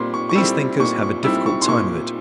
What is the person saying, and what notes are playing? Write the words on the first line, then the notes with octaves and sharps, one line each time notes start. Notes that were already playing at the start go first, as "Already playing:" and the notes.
These thinkers have a difficult time of it.
Already playing: A#2 G3 C4 C6
C#6
C#6
G3 C4 E4 E6
A#2 C#6
C#6
G3 C4 E4 E6
C#6
C6
A#2 C#6